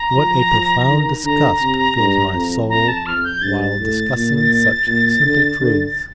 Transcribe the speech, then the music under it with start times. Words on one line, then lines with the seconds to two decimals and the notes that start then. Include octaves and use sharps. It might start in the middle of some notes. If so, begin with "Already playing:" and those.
What a profound disgust fills my soul while discussing such simple truths!
Already playing: A#5
0.16 F3
0.53 F3
0.89 D#3
1.24 D3 A#5
1.61 C3
1.98 G2
2.34 F2
2.70 F2 A#5
2.88 A5
3.06 F2 F6
3.24 G6
3.42 G2 A6
3.79 A2
4.15 A#2
4.88 A#2
5.24 D3
5.60 D3